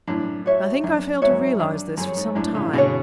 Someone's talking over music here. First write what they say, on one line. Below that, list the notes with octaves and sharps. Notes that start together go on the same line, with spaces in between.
I think I failed to realize this for some time.
F#2 A2 D4
F#4 C#5 E5
F#2 D4
G#2 F#4 C#5 E5
F#2
G#2
F#2 D4
F#2 G#4 C#5
G#2
F#2 A2 D4
A2 C#3
B2 D3 G#4 C#5